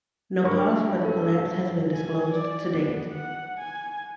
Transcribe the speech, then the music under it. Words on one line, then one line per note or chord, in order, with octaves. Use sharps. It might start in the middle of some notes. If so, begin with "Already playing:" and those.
No cause for the collapse has been disclosed to date.
G2 A#4 C#6
A4
G#5
D5
B3
F#5
G#5